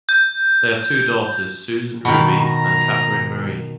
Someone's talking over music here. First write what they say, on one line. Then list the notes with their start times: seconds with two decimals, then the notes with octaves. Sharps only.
They have two daughters, Susan Ruby and Katherine Marie.
0.09 G6
2.05 B2 D#3
2.41 A#5